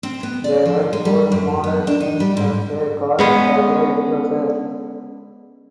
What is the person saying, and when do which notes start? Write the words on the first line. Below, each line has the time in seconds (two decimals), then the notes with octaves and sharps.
There were four smaller shrines at the corners of the enclosure.
0.03 C4
0.23 B3
0.44 D5
0.65 F3
0.93 G#3
1.05 G3
1.32 F#2
1.64 B3
1.87 D4
2.00 D#4
2.20 G3
2.37 G#2
3.19 G#3 B3 C#4